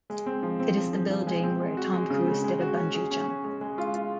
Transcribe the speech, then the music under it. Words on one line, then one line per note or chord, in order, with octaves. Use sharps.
It is the building where Tom Cruise did a bungee jump.
G#3
C4
F3
C4
F3
F3
F3
G#3
C4
G#3
F#4
G#3
C#3
C#3
G#3
F#4
C#4
G#4
C#4
C#4
G#3
G#3
F4
F4